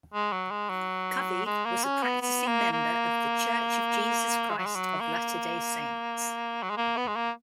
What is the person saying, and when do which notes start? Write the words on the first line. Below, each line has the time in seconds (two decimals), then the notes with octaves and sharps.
Covey was a practicing member of The Church of Jesus Christ of Latter-day Saints.
0.14 G#3
0.32 F#3
0.51 G#3
0.69 F#3
1.46 G#3
1.65 A#3
1.84 C#4
2.03 B3
2.22 B3
2.47 A#3
2.72 A#3
4.49 G#3
4.58 F#3
4.66 G#3
4.75 F#3
5.00 A#3
6.63 F#3
6.70 G#3
6.77 A#3
6.97 B3
7.07 G#3
7.16 A#3